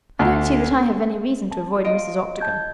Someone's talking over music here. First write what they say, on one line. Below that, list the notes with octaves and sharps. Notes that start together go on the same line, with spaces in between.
"I don't see that I have any reason to avoid Mrs. Octagon."
D2
A5
F4 D#5 D7
A5 G6 G#6